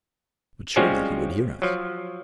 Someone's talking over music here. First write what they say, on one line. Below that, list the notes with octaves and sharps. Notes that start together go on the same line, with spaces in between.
"But surely he would hear us."
F3 G3 G#3 C4 C#4 F#4
F3 F#3